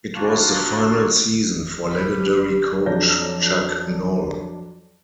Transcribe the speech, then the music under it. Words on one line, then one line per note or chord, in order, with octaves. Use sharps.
It was the final season for legendary coach Chuck Noll.
A#3 D4 F4 F#4
G2 G3
F2 F#3 D4 G6 A#6